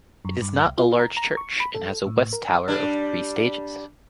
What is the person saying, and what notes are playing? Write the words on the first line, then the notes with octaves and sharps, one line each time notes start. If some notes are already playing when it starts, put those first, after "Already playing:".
It is not a large church and has a west tower of three stages.
F#2
G2
C2
F4
A#5
A#5
C#6
B5
A4
A2
A#4
G3 D4